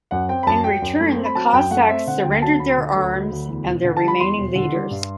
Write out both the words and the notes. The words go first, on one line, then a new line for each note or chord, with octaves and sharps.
In return, the Cossacks surrendered their arms and their remaining leaders.
F#2 F#5
C4 G5
B5
F#2 A5
F#3 G5
F#2
A3
C4
B5
F#3 A5
F#2 G5
A3 F#5
C4 E5
D3 F#5
D2 G5
F#3 A5
D2 B5
D3
D2
F#3
D2
E2
E1
D3
A5
G3 B5
E2 C6
E1
D3
G3
G2